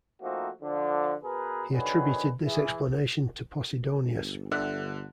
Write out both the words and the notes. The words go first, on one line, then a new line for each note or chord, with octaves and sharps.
He attributed this explanation to Posidonius.
F3 A3 A#3 C4 D#4 F#4
D3 F3
B2 G#4 A#4 B4
D3 D#3 F#3 G#4 B4
E3 G#4
G1
D3 D5 E5 F#5